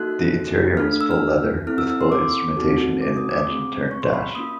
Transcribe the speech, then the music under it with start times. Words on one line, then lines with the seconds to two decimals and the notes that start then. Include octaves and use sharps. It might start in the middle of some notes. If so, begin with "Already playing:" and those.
The interior was full leather, with full instrumentation in an engine-turned dash.
Already playing: A#3 D#4 F#4 A4 F#6
0.77 A3 D4 F4 A4 F6
1.01 E6
1.11 F6
1.67 C4 E4 A4 F6
1.78 E6
1.90 E6
2.01 C6
2.12 D6
2.56 C4 D#4 F#4 A4
3.02 D6
3.17 D#6
3.31 D6
3.46 C4 F4 G#4
3.91 C#6
4.02 C6
4.14 B5
4.35 A#3 C#4 F4 D#6